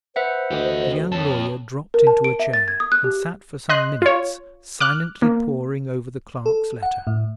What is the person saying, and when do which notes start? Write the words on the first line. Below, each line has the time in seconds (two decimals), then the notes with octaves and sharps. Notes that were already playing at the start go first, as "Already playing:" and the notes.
The young lawyer dropped into a chair, and sat for some minutes silently poring over the clerk's letter.
0.16 B4 C5 E5 F#5
0.51 D2 G4 D#5
1.12 F2 C#5 A5
1.94 A#4
2.07 A5
2.24 D7
2.39 E5
2.53 A6
2.68 G#6
2.80 D#6
2.92 F#6
3.04 G4
3.69 D#5 C6 F#6
4.02 F4 C#5
4.80 D6 F6 F#6
5.22 A#3
6.46 A4
6.83 F#5
7.07 A2